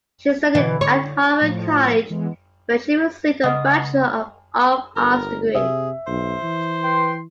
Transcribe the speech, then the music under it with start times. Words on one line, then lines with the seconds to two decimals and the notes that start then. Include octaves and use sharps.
She studied at Harvard College where she received a bachelor of arts degree.
0.55 B2 D3 E3
0.81 C#5
1.41 A2 F3
2.10 E3 G#3 B3
3.43 C#3 G#3 B4 D#5 F#5 D#6
4.96 G1 A#4
5.55 C3 G#4 E5
6.07 B1 C5
6.42 E3
6.83 B4 G5 C6